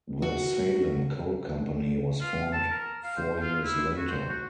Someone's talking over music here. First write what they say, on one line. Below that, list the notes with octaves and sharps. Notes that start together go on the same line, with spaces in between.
The Salem Coal Company was formed four years later.
F#4
F4
A5
A#4
F5
C5
F4
E4
F#4
C5
F#4